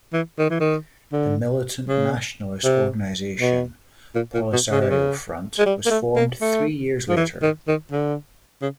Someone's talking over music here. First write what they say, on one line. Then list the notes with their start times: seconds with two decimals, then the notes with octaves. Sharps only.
The militant nationalist organization Polisario Front was formed three years later.
0.13 E3
0.39 D#3
0.50 E3
0.60 D#3
1.13 D3
1.89 C#3
2.64 C3
3.40 B2
4.15 A#2
4.34 A#2
4.53 B2
4.71 C#3
4.81 C3
4.90 C#3
5.59 G#3
5.66 G3
5.86 A#3
5.91 A3
6.16 A#3
6.42 A3
7.09 F3
7.17 E3
7.43 D#3
7.68 D#3
7.92 D3
8.62 C#3